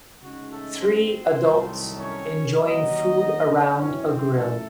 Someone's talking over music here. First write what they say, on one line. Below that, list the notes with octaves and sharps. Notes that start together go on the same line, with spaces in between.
Three adults enjoying food around a grill.
C#3 G#3 D#4 F#4
A3 A4
C4 C5
C2 C3 D#3 F#3 A3
C#4 C#5
D#2 D#3 F#3 D#4 D#5
F#2 E3 C4 C#4 E4 C#5
C4 C5
A3 A4